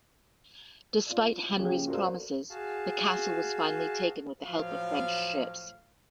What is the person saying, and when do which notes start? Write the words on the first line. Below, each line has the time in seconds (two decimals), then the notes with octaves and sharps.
Despite Henry's promises, the castle was finally taken with the help of French ships.
1.06 F4 D5
1.56 C#3 F3 A#3 C#4 G4
1.88 F#4 A4 A#4 C5 D5 F5
2.50 F#4 G#4 F5 A5
4.44 A2 F3 F#3 F5